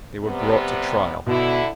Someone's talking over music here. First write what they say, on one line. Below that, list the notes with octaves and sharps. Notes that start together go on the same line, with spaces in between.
They were brought to trial.
C3 G3 B3
B2 D3 E4